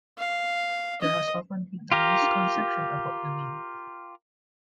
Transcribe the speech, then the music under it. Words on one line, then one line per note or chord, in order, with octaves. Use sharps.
There has often been a misconception about the name.
F5
D#5
F4 G4 A#4